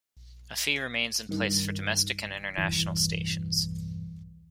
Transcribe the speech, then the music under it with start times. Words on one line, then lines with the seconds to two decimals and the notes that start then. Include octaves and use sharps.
A fee remains in place for Domestic and International stations.
1.29 G2 D#3
2.58 B1 E2 G2 E3